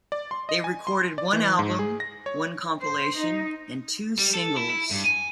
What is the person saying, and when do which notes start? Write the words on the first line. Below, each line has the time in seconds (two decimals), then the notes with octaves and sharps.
They recorded one album, one compilation and two singles.
0.12 D5
0.31 C6
0.49 D#5
0.64 G#5
0.87 C6
1.18 D5
1.33 E3
1.59 G#2
1.79 G#4
2.00 A#6
2.26 C#5
2.81 C5
3.18 D#4
4.19 G3
4.34 A4
4.57 E4
4.70 E4
4.91 G2
5.05 G#5